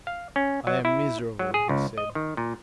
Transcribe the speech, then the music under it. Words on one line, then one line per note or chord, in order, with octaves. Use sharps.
"I am miserable," he said.
F5
C#4
F#3
E4
F#3
G#4
C#2
D#5
D#3
A#2